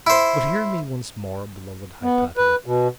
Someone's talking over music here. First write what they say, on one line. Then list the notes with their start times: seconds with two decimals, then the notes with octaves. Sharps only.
But hear me once more, beloved Hypatia.
0.07 E4 C5
2.03 B3
2.37 B4
2.66 B2